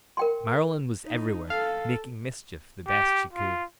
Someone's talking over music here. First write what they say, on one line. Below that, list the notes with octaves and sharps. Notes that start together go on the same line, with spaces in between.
Marilyn was everywhere, making mischief the best she could.
A#4 G5 C6
D#4
A4 F5
G4
F4